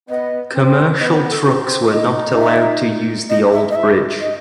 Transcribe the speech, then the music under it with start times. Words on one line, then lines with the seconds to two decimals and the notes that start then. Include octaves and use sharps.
Commercial trucks were not allowed to use the old bridge.
0.09 B3 D#5
0.55 C4
1.00 B3 D#5
1.12 D#5
1.16 C5
1.30 A4
1.46 C4 F#4
1.61 G4
1.92 D#4 D#5
2.38 E5
3.30 D#5
3.52 E5
3.70 D#5
3.74 E4 E5
4.20 D#5